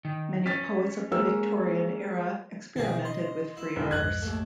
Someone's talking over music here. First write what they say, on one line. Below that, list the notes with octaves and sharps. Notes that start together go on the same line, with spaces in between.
Many poets of the Victorian era experimented with free verse.
D#3
C#4 A6 B6
G#3 A#3 E6
B2 D#3 C4 D#4 G#4
D#5 C6
E4
E1
B1 F2 G#2 D#5 F#6 G#6
D#2 A3